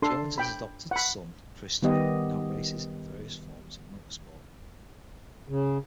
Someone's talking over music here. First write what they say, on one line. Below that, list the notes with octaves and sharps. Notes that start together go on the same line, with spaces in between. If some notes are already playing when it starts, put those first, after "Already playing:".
Jones' adopted son Christian now races in various forms of motorsport.
D4 A4 C6
G5 B5
F#5 B5
D#3 G3 B3 G4 D#5
C#3